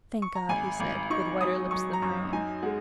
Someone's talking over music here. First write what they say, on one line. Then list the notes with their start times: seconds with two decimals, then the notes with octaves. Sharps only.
"Thank God," he said, with whiter lips than her own.
0.22 C#6
0.35 A#5
0.49 G#1 G#5
0.80 G#1
1.10 D#4 C#6
1.41 F#3 D#6
1.71 F#3 C#6
1.93 A#5
2.02 F#2 C#6
2.33 D#4 G#5
2.63 G#3 F#5